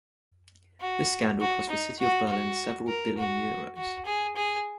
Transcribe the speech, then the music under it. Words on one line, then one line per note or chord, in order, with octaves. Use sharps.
This scandal cost the city of Berlin several billion euros.
F#4
F#4
D#4
F#4
F#4
A#4
F#4
F#4
G#4
G#4